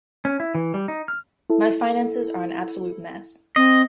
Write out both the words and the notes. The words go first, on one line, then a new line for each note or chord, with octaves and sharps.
My finances are an absolute mess.
C#4
E4
E3
G3
D#4
F6
E4 A4
C4 D#5